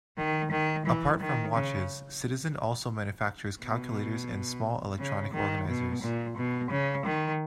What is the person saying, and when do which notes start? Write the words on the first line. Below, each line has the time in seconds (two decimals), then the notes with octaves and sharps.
Apart from watches, Citizen also manufactures calculators and small electronic organizers.
0.18 D#3
0.52 D#3
0.86 E3
1.20 D#3
1.55 C#3
3.61 B2
4.99 C#3
5.34 D#3
5.68 B2
6.02 A#2
6.37 B2
6.71 C#3
7.06 D#3